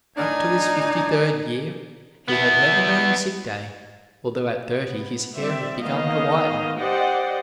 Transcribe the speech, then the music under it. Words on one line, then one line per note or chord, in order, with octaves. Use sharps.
Up to his fifty-third year he had never known a sick day, although at thirty his hair had begun to whiten.
A2 D4 D#4 G#5
B3 E4
B3
G3 C4 D5 E5
D#3 A#3 B3 D#5 F5
G4 C5 D5 D#5 F#5 G5